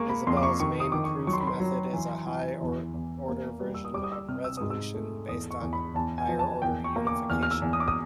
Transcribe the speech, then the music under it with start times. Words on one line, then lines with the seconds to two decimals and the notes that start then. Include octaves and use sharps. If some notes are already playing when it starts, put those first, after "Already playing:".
Isabelle's main proof method is a higher-order version of resolution, based on higher-order unification.
Already playing: G#3 A#3 C#6
0.09 B5
0.27 F2 C6
0.37 D6
0.43 C#6
0.60 D#3 C#6
0.80 D#6
0.92 D#3 D6
1.04 C#6
1.27 F#3 C#6
1.33 C6
1.40 B5
1.47 C6
1.60 F#3
1.93 E3
2.27 E3
2.61 E2
2.94 E2
3.28 A#3
3.60 G3
3.74 E6
3.85 D#6
3.94 G3 D6
4.04 D#6
4.12 E6
4.29 C3 F6
4.44 E6
4.57 G#2 D#6
4.70 E6
4.94 A3
5.29 E2 D#6
5.51 C#6
5.62 E2
5.73 B5
5.95 E2 A5
6.18 G#5
6.28 F3
6.39 A5
6.62 E2 G5
6.84 C#6
6.96 A#3
7.07 D6
7.30 E2 F6
7.43 F6
7.51 E6
7.62 E2
7.73 D#6
7.80 D6
7.88 D#6